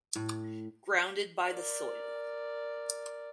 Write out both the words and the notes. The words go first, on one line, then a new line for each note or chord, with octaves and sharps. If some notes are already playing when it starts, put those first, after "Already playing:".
Grounded by the soil.
A2
A#4 D5